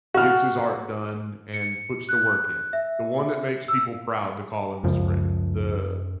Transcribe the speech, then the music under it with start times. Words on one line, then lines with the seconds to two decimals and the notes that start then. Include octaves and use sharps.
gets his art done, and puts the work in. The one that makes people proud to call him his friend. The
0.14 F#4 F6
1.54 C#7
2.09 F#6
2.73 E5
3.68 E6
4.84 C#2 F#2 F3